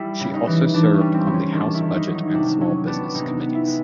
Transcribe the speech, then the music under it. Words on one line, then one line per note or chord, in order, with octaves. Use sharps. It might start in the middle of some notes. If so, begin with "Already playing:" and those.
She also served on the House Budget and Small Business Committees.
Already playing: G3 E4
C#3
D#4
E3
E3 D4
C#4
G3
C4
C#3
C#4
D#3 D4
E4
D#3
D#4
F#3
D#4
C3 D4
F#3 C#4
B3 D4
D4
C3 D#4
B3
E4
G#3